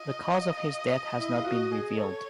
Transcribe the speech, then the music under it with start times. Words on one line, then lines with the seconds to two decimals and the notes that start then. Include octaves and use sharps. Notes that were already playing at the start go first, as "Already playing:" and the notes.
The cause of his death has not been revealed.
Already playing: F4 D#5
1.18 E4
1.36 F4
1.44 F#4
1.71 G#4
1.97 A4 C#5